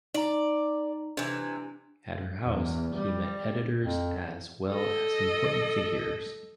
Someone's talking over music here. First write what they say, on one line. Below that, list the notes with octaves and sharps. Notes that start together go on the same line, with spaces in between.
At her house he met editors as well as important figures.
D#4 D5 A#5
C3 E3 D4
E2
G3
F2
A4 D#5